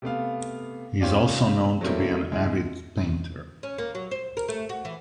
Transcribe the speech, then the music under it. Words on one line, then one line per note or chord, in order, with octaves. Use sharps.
He is also known to be an avid painter.
C3 A3 B3 F5
C4 C#4 F4 G4 D5
F#3 G3 A3 A#3 C4 E4
G#3 E4
C#4
A#3
F#3
C5
A#4
A3
F#4
E3